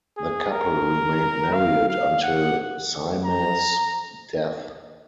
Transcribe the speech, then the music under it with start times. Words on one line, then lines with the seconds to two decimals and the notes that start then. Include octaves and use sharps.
The couple remained married until Sima's death.
0.17 G#4
0.52 A#4
1.54 F5
1.89 F5
2.23 F#5
3.25 A#5